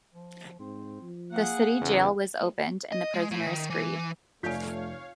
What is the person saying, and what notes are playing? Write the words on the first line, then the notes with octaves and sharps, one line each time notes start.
The city jail was opened and the prisoners freed.
F3
G#2 C4
F3
A#3 G#4 F#5
E2 C#3
D#5
G#3
A2
D#3
E3
F1 A3 F4 C#5 D5 F5 G#5 G6